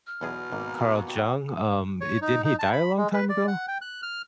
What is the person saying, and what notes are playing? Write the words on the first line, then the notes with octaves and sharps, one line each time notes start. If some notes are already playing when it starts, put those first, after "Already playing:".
Carl Jung? Um, eh, didn't he die a long time ago?
F6
B1 E2 B2 G#4
D#5
G#1 A#3
F#4 G4 D#5
C#5
D#4
D#4
A5
B5
G#3
B4
D5
F#5
G5
F#6
F6